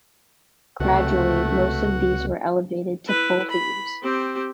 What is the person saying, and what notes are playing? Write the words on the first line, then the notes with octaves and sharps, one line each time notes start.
Gradually, most of these were elevated to full themes.
C#2 C3 A3 F#4
E4 B4
B5
C4 G4